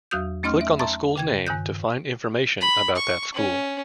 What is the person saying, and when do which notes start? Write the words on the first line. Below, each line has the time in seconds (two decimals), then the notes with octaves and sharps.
Click on a school's name to find information about that school.
0.11 E2 F#3 F#4 D#6 G6
0.43 A3 C#4 D#4 D#5 C6 F6
0.61 E5
0.79 E5 A5 A#5 C6 C#6 A6
1.16 C#3 G5 G#6
1.47 G2 D#3 F#6 G6
2.61 B5
2.96 C#6
3.34 C#4